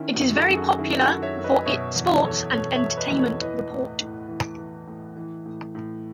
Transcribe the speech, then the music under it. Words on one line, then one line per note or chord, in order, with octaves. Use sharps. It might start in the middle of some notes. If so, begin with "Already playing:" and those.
It is very popular for its sports and entertainment report.
Already playing: D#3 C#4 E4
D#4 F#4
F#2
F#4 A4
F#2 G#4
F#4 A4
D#3 E4 G#4
F#4 A4
D#3
C#5 E5
F#2
B4 D#5
B2 C#5 E5
E2
E2 A4 C#5
B2 A4 C#5
C#5 E5
B2
B4 D#5
E2
A4 C#5
E3 B4 D#5
A2
A2
E3
E3
A2
E3
A2
A2